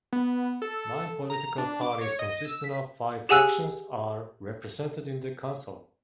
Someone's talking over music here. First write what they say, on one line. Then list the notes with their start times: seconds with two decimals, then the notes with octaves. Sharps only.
Nine political parties consisting of five factions are represented in the Council.
0.13 B3
0.62 A4
1.30 A#5
1.58 D4
1.81 D6
2.01 C#5
2.19 D#5
2.45 E6
2.64 B6
3.29 G4 G#4 F#5 G#5 E6 F#6